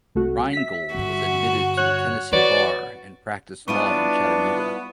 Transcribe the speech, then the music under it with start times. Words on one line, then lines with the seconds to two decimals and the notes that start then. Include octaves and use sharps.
Reingold was admitted to the Tennessee bar and practiced law in Chattanooga.
0.15 C2 A3 F#4
0.53 E5 B6
0.95 G2 D3 F#4
1.77 C#5 F#6
2.33 E3 F#4 B4 C#5 D5 A6
3.68 G3 B3 D4 E4 F4 C#6 D7 D#7